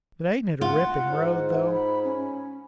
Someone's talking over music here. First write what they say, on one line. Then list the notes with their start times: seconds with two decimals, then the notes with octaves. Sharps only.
But ain't it a ripping road, though?
0.61 F4 F#5
1.10 G#2
1.73 B5
2.04 C#4